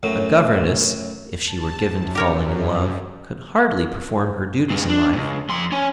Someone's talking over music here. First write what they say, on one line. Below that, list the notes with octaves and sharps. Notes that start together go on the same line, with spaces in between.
A governess, if she were given to falling in love, could hardly perform her duties in life.
F#2 A2 F#3
A5
F#2
G4 A#4 C#5
G2 G#3
D4
C#2 G2
F2 C6
C#4 C#5